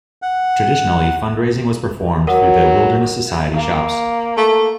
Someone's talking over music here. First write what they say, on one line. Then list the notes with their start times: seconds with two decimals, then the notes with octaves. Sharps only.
Traditionally fundraising was performed through The Wilderness Society Shops.
0.22 F#5
2.27 F#3 A#4 F#5
3.53 A#3
4.37 A3